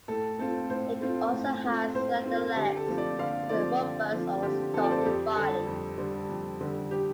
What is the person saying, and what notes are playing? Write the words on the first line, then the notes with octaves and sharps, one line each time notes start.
It also has slender legs with a robust or stocky body.
A2 A4
A3 C4 F4 A4
A2 C5
A3 C4 F4
A2
A3 C4 F4
A2 C5
A3 C4 F4
D3 G4
A4
F3 A3 C4 F4
D5
D3 F5
F3 A3 C4 F4 D5
D3
F3 A3 C4 F4
D3 G4
F3 A3 C4 F4 A4
D5
C5
A4
F2 G4
D3 G3 A4
F2
D3 G3
F2
D3 G3
G4